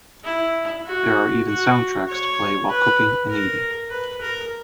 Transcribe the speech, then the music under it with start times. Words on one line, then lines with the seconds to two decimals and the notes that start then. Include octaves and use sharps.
There are even soundtracks to play while cooking and eating.
0.24 E4
0.86 F#4
1.47 F#4
2.07 C#5
2.69 B4
3.30 A#4
3.90 B4
4.21 A#4